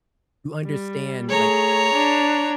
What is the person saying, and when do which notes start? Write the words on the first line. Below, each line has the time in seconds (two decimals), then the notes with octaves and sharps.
you understand, like,
0.65 G3
1.29 A3 G#4 C#5 A#5
1.94 D4